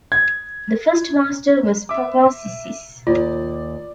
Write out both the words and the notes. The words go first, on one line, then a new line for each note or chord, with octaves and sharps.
The first master was Papasisis.
G#6
E5 D6
D#2 F4 D5